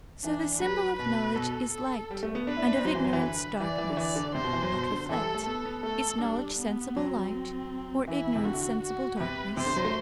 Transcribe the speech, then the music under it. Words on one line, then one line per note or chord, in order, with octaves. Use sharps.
So the symbol of knowledge is light, and of ignorance, darkness; but reflect, is knowledge sensible light, or ignorance sensible darkness?
E3 D4
F#3 B4
B2 B4
B2 A4
A4
G3
A3
B3
D4 B4
E4
D4
C4
F#3 C5
E3
F#3
E3
D3 B4
E3 D5
E3
D3
E3 D5
D3
C3 C5
B2
E3
F#3
B2
D3
E3 A4
G3
A3
B3 A4
B3
A3 A4
G3 D4
B3
F#3 C4
E3 E4
C3
D3 F#4
F#4
C3 B4
C3 C5
D3
F#3
A3